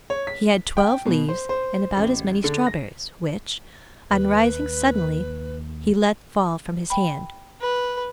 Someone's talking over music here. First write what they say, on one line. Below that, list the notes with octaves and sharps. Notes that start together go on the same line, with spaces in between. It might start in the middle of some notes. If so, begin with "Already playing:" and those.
He had twelve leaves and about as many strawberries, which, on rising suddenly, he let fall from his hand.
C#5
B6
G5
B2
C5
C5
A1
D3
A#6
D#2 B4
G5 B5
B4